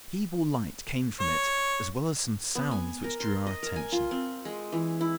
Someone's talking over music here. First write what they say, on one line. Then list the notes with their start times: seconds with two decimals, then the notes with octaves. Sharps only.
A feeble light came from it as well as some sounds which drew our attention.
1.20 C#5
2.55 B3
2.71 G#5
3.04 A#4
3.20 C6
3.47 D#5
3.63 A#4
3.76 G#5
3.92 F4
4.11 C4
4.45 G#3
4.72 E3
5.01 E4